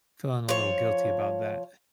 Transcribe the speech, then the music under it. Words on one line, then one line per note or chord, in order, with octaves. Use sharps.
feeling a little guilty about that.
F3 C#5